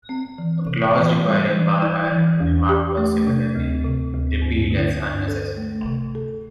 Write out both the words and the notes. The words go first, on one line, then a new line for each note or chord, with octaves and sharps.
A clause requiring bar iron to be marked was similarly repealed as unnecessary.
C4
E3
C3
E3
G3
E3
E4
E3
E2
G4
A3
C3
D2
C3
D2
G2
D3
G2
A4
A3
C3
A4